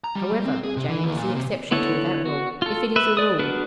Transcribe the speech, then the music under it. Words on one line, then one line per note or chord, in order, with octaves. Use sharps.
However, Jane is an exception to that rule--if it is a rule.
A#5
G3
G3
C4
G#4
C3
E3
D#2
A#2
C3
D3 B3 E4 A4 C#5
F#4
F4 A4
B4 E5
D5 D#6
B3 D4 F#4 A#4 B4